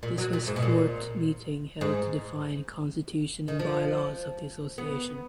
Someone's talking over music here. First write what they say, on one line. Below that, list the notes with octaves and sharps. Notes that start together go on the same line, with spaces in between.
This was fourth meeting held to define constitution and bylaws of the association.
A#2
F#3
A#2
G#2
B2
A#2
G#2
D#3
F3
B3